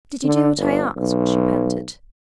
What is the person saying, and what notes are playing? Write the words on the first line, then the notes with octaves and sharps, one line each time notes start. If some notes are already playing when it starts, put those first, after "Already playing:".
"Did you do what I asked?" she panted.
D3
G1
B1